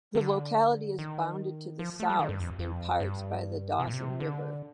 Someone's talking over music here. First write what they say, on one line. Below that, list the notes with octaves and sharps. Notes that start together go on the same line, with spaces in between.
The locality is bounded to the south in parts by the Dawson River.
D#3
D3
D#3
F3
A3
G3
D#3
G2
F2
F2
G2
C3
A#2
C3
D3